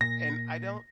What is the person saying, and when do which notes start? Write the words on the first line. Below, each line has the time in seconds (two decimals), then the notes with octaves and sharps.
and I don't
0.01 A#2 A#6